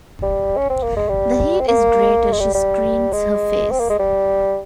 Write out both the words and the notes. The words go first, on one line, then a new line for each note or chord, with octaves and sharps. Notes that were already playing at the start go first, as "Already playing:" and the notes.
The heat is greater; she screens her face.
G3
C#4
C4
A#3
G#3
G3
C4
A#3
G#3
G3
G3
G#3
C4
A#3
G#3
G3